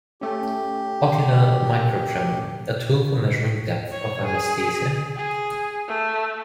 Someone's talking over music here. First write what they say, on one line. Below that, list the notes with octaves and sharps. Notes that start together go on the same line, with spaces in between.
Ocular microtremor: a tool for measuring depth of anaesthesia?
A3 C#4 G4
C#5
G#4
G#4
A3